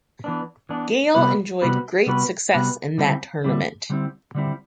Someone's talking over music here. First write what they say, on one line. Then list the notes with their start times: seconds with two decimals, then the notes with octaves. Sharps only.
Gayle enjoyed great success in that tournament.
0.24 E3 B3 D4
0.69 E3 B3 D4
1.15 C3 G3 B3 F#4 B4
1.62 C3 G3 B3 F#4 B4
2.06 C3 G3 B3 F#4 B4
2.52 C3 G3 B3 F#4 B4
2.98 D3 G3 C4 E4
3.44 D3 G3 C4 E4
3.90 D3 G3 C4 E4
4.35 D3 G3 C4 E4